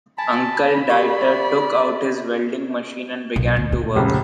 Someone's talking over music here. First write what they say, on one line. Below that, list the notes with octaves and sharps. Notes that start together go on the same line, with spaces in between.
Uncle Dieter took out his welding machine and began to work.
G#5 A5 B5
G4 A#4 D5 C#6
B1
D2
A#2
F1 C#2